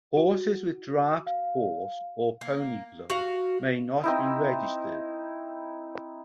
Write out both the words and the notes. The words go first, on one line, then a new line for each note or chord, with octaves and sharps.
Horses with draft horse or pony blood may not be registered.
F#4
F5
A#3
F#4 F5
C4 D#4 E4